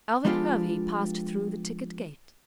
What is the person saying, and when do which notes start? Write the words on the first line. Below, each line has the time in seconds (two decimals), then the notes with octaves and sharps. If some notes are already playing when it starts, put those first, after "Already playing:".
Alvan Hervey passed through the ticket gate.
0.25 F3 G#3 B3 D4 F4 G4